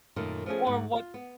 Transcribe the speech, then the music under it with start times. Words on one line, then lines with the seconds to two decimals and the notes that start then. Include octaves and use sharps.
Or what
0.16 F#2 A#2 D#3 A3
0.46 F3 A3 C#4 G#4
0.67 D2 G#2 F#5
0.96 F4
1.14 B3